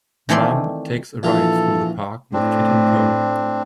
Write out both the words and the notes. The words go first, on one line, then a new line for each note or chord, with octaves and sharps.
Mom takes a ride through the park with kid in tow.
D#3 E3 A3 C4 D5 C6
A#1 E3 F4 A4
A2 C4 D4